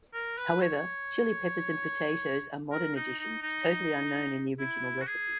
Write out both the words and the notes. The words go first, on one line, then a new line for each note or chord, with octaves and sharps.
However, chili peppers and potatoes are modern additions, totally unknown in the original recipe.
A#4
B4
C#5
A#4
D#4
D#4
D#4
E4
F#4
G#4